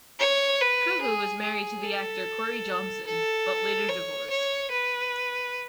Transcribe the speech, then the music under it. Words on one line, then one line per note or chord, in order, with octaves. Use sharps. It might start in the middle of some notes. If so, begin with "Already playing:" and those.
Cohu was married to the actor Corey Johnson, but later divorced.
C#5
B4
G#4
G#4
A4
A4
C#5
C#5
B4